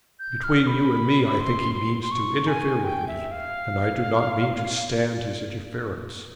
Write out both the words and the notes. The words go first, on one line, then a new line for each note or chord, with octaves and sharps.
"Between you and me, I think he means to interfere with me, and I do not mean to stand his interference."
G6
F6
B5
C6
C6
C6
C#6
G#5
G5
E5
F5